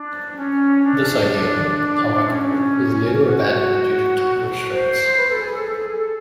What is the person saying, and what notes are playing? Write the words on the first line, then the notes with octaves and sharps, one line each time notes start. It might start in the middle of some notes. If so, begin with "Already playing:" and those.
This idea, however, was later abandoned due to time restraints.
Already playing: D4
C#4
D4
D4
C#4
F#4
C5
B4
A4
G#4
A4
A4
G#4
A4